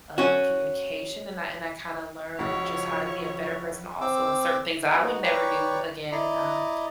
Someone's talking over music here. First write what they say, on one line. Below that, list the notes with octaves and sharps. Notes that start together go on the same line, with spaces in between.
um, communication, and I and I kinda learned just how to be a better person also, and certain things that I would never do again, um,
C#4 F#4
C#2 F3 F#4 C#5 F#5
C4 D6 E6
B3 D#4 F#4
B4 C#5 D5 G5 A#5 C#6
E4 D5 D#5 A#5